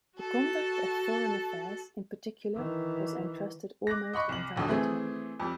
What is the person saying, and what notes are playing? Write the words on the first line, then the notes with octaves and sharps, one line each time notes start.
The conduct of foreign affairs in particular was entrusted almost entirely to him.
F#4 A4 A5
D#3 E3
D6 F#6 A#6
D#5 F#5 B5 C#6
C2 F#7
D#1 D#2 D3 D#6
E3 A3 C4 G#4
F2 G3